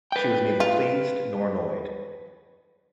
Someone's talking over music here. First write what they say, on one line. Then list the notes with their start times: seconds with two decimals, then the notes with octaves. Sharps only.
She was neither pleased nor annoyed.
0.12 B4 G5
0.60 F4